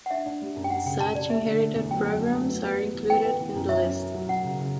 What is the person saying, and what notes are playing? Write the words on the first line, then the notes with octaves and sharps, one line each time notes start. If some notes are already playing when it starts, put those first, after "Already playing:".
Such inherited programmes are included in the list.
F#5
D4 E5
D4
G3
F#2
G5
G3 F#5
C#3 G5
C#3 A5
G3 D5
A3 E5
D3
A3
E2
F#3 G5
F#3
A3
F#3
B3
B3
G3
E3
B3 G5
B3
E3
F#2
F#3 E5
C#4
C#4
F#3
F#3 F#5
C#3
C#3